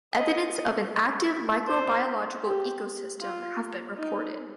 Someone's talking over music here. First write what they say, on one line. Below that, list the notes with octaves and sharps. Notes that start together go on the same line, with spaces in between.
Evidence of an active microbiological ecosystem have been reported.
D#5
C5
G4
F4
D#4